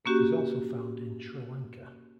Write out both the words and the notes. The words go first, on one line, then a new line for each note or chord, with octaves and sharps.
It is also found in Sri Lanka.
A#3 C#4 F#4 G4